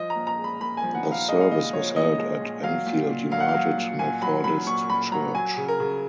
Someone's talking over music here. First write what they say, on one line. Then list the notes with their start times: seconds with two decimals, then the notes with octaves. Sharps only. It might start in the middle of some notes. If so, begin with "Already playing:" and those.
The service was held at Enfield United Methodist Church.
Already playing: F3 D#5
0.10 A#5
0.16 A#2
0.27 A#5
0.39 G#3
0.44 B5
0.61 A#2 B5
0.77 G#5
0.83 F3
0.95 F#5
1.06 A#2
1.12 F5
1.28 G#3 D#5
1.40 F5
1.51 A#2 D#5
1.73 F3 C#5
1.96 A#2 D#5
2.19 G#3
2.41 A#2
2.63 F#3 F5
2.86 A#2
3.10 A#2
3.32 F#3 F5
3.40 F#5
3.48 F5
3.54 F#3
3.77 A#2
3.99 A#2 G#5
4.22 F#3 B5
4.44 F#3 B5
4.67 A#2 C#6
4.89 A#2 B5
5.12 F#3 A#5
5.35 F#3 G#5
5.57 C#3
5.68 A#4
5.80 C#3